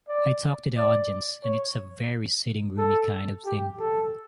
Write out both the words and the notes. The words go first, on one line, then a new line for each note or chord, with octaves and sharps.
I talk to the audience and it's a very sitting-roomy kind of thing.
D5
D5
C#5
A4
G4
A4